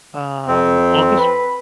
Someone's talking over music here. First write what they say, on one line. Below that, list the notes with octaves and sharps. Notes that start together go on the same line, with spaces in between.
um August
F2 C4
B4